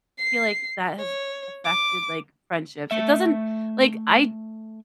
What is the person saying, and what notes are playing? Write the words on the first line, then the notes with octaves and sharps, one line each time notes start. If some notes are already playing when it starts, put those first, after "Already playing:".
feel like that has affected, like, friendships, it doesn't like, I
C7
C#5
D6
A3 E5